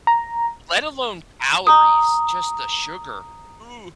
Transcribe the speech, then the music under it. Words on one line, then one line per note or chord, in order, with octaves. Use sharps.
Let alone calories, just the sugar. Ooh.
A#5
A#5 D#6